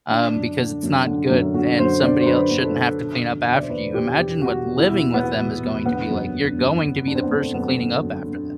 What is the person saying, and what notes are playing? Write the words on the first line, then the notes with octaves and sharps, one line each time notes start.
um, because it's not good, and somebody el shouldn't have to clean up after you." Imagine what living with them is going to be like, you're going to be the person cleaning up after them.
D3 D4
F#2
D3
F#2
D3
F#2
D3 F#4
F#2 C5
D3 D5
C5
F#2 B4
D3
A4
F#2
B2
E2
B2 E5
D5
C5
E2 B4
B2 G4
E2 G4
B2 F#4
E2
E4
B2
E2 B3
B2
E2
D3 B3
F#2
D3
F#2
D3
F#2 D4
C4
B3
D3 A3
F#2 B3
D3
F#2
D3